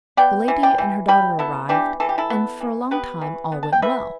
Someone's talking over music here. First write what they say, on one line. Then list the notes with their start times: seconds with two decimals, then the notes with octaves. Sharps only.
The lady and her daughter arrived, and for a long time all went well.
0.17 B3 D5 G5
0.48 E3
0.63 D5 G5
0.78 E3
1.08 G3 G5 B5
1.39 B3 E4 A4
1.69 E3 D4 G4
2.00 E3 A4
2.09 G4
2.18 E4 A4
2.30 B3
2.61 E3
2.91 B3 G4 B4
3.21 E3
3.52 B3
3.63 A5
3.72 G5
3.82 E3 B4 E5